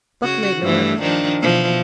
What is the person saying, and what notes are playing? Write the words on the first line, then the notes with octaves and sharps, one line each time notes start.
Buck made no effort.
C#3 F#4
G2 E3 A3
D#3 F3 D4
B2 E3 F3